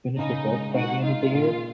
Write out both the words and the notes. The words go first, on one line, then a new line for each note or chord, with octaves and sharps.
finish a book by the end of the year
C#3 D#4 D#5
G#3
D#4 F#4 F#5
D#4 F4 F5
A#2